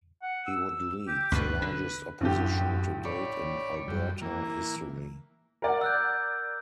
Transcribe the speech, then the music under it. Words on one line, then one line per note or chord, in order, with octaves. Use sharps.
He would lead the largest opposition to date in Alberta history.
F#5
E6
G4
D2 G2 B2 B4
D3 B4
A1 F#2 D3 G4
C#5 D5 B5
F#2 G3
E3 A#3
A#4 D5 F#5
E6 F#6 G6